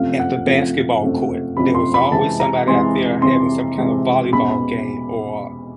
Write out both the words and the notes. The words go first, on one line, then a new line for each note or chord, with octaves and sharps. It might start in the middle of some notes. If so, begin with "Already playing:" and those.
at the basketball court; there was always somebody out there having some kind of volleyball game or
Already playing: F#1 F2 C3 F3 A3 F5
F#5
F#1 F2 C3 F3 A3
F#1 F2 C3 F3 A3
F#1 F2 C3 F3 A3 B5
C6
B5
F2 C3 E3 G#3 A5
A#5
F2 C3 E3 G#3 C6
F2 C3 E3 G#3 C6
F2 C3 E3 G#3
E2 B2 G#3 C#4 B5
B5